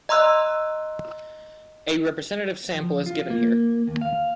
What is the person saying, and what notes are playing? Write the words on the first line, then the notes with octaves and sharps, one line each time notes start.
A representative sample is given here.
D#5 A#5 C6 E6 F#6
F3
F4
A#3
D#2
F5